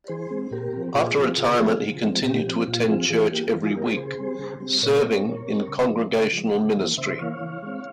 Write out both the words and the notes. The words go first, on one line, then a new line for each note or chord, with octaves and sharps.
After retirement, he continued to attend church every week, serving in congregational ministry.
E3 G#4 C5
G#3 C4
A#2 G4 A#4
F3 C4
A#2 F4 G#4
F3 C4
C#3
F3 G#3 C4
C#3
F3 G#3 C4
A#2 G4
F3 C4
A#2 F4
F3 C4 F4 G#4
E3 F4 G#4
A#3 G4
E3 F4
F4 G#4
A#3 G4 A#4
G#4 C5
C#3
G3 C4
C#3
G3 C4
A#2 A#4 C#5
G3 C4
A#2
G3 C4
C#3
F3 G#3
C#3
F3 G#3
C#3
E3 A#3
C#3 C5 E5
E3 A#3 C#5 F5
E3
G#3 C4